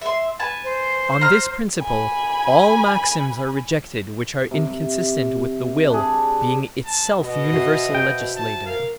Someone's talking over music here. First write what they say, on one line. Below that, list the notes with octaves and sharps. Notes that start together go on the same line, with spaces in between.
On this principle all maxims are rejected which are inconsistent with the will being itself universal legislator.
E5 C6
B4 G#5 A5
C5
A#5 F6
G#5 B5
C3
D4 G4 G#4
A5
B2 D#5
F#4 C5 E5
G5
A5
A#4 F5